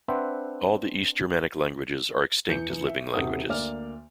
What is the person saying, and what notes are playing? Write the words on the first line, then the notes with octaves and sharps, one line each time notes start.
All the East Germanic languages are extinct as living languages.
C4 D4 B4 C5 E5 F#5
E2 G6 C#7
E2
E5
D#1 C3 F#4 A4 D#6
D2 A#3 D5 F6 F7